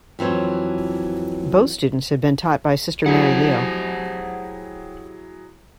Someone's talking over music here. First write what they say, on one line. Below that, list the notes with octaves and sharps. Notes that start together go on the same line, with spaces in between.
Both students had been taught by Sister Mary Leo.
F2 E3 F#3 C5 C#5
F#3 E4 G4 G#4 C5 F#5